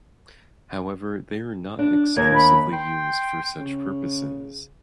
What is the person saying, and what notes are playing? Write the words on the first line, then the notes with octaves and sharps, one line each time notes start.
However, they are not exclusively used for such purposes.
D4
D#2 A#3 G#6
B5
G5 C6
C#3